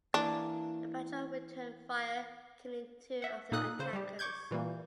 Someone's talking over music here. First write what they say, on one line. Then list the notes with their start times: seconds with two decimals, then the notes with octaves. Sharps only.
The patrol returned fire, killing two of the attackers.
0.14 E3 A#3 D4
3.22 E5 F#5
3.52 A#2 A#3 D#4 A4 D#6 F#6
3.79 C#3 C5
3.93 G3 G4
4.19 C#6 D6 G6 G#6
4.51 A#2 E3 G3 A#3